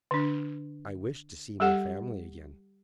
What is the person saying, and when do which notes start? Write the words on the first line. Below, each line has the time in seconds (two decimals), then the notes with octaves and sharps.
"I wished to see my family again."
0.11 D3 D4
1.60 G3 G4 A4 F#5